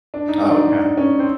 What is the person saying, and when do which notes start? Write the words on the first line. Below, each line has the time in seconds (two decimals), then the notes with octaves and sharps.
Oh, okay.
0.14 D4
0.28 D#4
0.42 D4
0.56 D#4
0.70 D4
0.97 C#4
1.19 C4